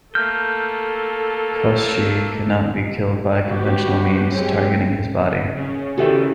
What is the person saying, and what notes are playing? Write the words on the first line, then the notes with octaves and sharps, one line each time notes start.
Koschei cannot be killed by conventional means targeting his body.
A3 A#3 A4 F6 G6
F#4 G4 B4
F#3 G#3 C4 C#4 G4
C#3 C#4
D#3 E3 F#4 G4 A4 E5